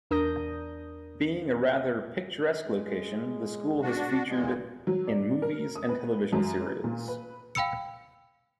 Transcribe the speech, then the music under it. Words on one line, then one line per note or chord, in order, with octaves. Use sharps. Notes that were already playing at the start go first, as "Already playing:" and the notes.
Being a rather picturesque location, the school has featured in movies and television serials.
E2 D4 A#4 D#6 G6 A#6
G#3
D4 F#4
E2 G2 A#2 G#3
F#3
D5
A#4
D#6
B4
F#2
B4
A#2
B4
F5 G5 B5 E6 C#7